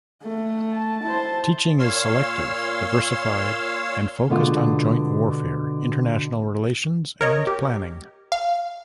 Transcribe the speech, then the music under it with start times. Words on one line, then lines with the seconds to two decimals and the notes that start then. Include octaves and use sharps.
Teaching is selective, diversified, and focused on joint warfare, international relations, and planning.
0.23 A3
0.73 A5
1.03 E4 C5
1.79 A#2 C#5 F5 C6 E6
4.30 B2 D3 G#3 B3 D4 F4
7.21 A#4 C#5 D#5
7.47 G4
8.32 F5